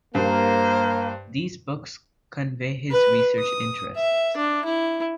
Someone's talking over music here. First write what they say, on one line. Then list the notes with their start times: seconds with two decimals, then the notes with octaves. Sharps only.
These books convey his research interests.
0.15 G2 A#3 C5
2.91 B4
3.39 D#6
3.96 E5
4.36 D4
4.65 E4